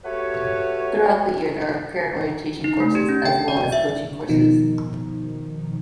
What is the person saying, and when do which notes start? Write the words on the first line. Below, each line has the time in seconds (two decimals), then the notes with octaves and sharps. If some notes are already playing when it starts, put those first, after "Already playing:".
Throughout the year, there are parent orientation courses as well as coaching courses.
0.04 A3 F#4 G4 B4 C#5
2.64 D#4
2.80 A3
2.95 G4
3.09 C#4
3.25 G5
3.48 D5
3.72 E5
4.29 B2 D#3 F3 D#4